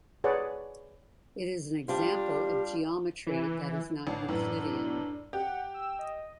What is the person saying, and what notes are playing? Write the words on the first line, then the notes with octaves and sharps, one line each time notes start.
It is an example of a geometry that is not Euclidean.
G#4 B4 C#5 D5 F#5
G3 D4 F4 G4
E3
A1 D4
F#2 A2 E3
G4 F#5
E6
D#5